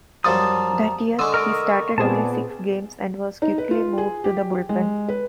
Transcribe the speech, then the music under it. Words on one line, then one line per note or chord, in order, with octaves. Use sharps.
That year, he started only six games and was quickly moved to the bullpen.
F#2 F3 G3 A5 A#5 D#6
D3 G#3 C#6 D#6 E6
A#4 D#5 D6
A#2 B3 C4 G#4 D5 A5
D#4
B4
F4
G#4
G4
G#3
B4